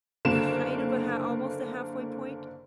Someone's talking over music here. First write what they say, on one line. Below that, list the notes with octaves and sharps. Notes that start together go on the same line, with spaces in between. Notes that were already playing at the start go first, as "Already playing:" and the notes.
kind of a ha almost a halfway point.
F#1 D3 A#3 E7